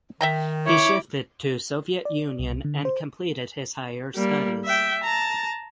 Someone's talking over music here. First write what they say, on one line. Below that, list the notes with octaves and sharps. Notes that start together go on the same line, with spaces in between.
He shifted to Soviet Union and completed his higher studies.
D#3 E5 G5 A#5
E4 C#5 D6
D5
C2
D3
C5
G3 A#3
E5 G5
A5 A#5